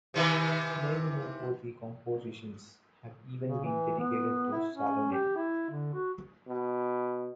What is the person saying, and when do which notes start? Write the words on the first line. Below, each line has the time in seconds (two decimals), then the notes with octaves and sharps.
Many noteworthy compositions have even been dedicated to Salonen.
0.14 C3 D#3 E3
3.47 C#3
3.64 E3
3.99 B3
4.52 E4
4.75 C#4
5.12 G4
5.36 E4
5.70 D3
5.93 F#4
6.48 B2